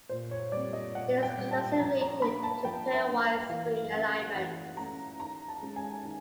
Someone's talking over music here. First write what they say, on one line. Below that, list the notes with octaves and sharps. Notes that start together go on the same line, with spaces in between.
It is closely related to pairwise string alignments.
A#2 C5
C#5
G3 C4 D5
D#5
A#2 F#5
G5
G3 C4
A5
A5
F3 A#5
A#5
A#3 D4 B5
A5
F3 G5
E5
A#3 D4
F5
E3 F5
A3 C#4 F#5
E3 F#5
A3 C#4 A#5
D#3 A#5
A5
G#3 C#4
G#5
D#3